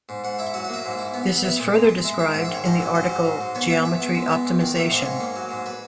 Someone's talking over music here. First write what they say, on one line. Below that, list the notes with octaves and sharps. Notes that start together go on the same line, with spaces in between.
This is further described in the article geometry optimization.
G#2
G#2 F#5
E4 E5
F#3 F#5
F#5
A#3 E5
G#2
E4
B3
B3
B3 E5
A#2
G#3
G#3
G#3 E5
G#3 E5
G#2 F#5
E5
D#3 C#5
G#2 D#5
F#3
G#2 D#5
F#3
G#2
G#2
B3 C#5
B3 E5
E2 E5
B3
G#3
B3
E2
D#3
A#3 E5
G#2 D#5
G#2 C#5
A#3
F#3
G#2
B4